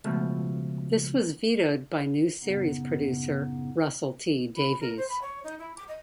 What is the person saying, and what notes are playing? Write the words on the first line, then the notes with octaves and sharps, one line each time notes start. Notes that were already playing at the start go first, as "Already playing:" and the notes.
This was vetoed by new series producer Russell T Davies.
C#2 B2 F3 A3
F#2 A2 C#3 B3 D#4
B5
A#4
C5
B5
C#5
D#4
E4
D6
D#5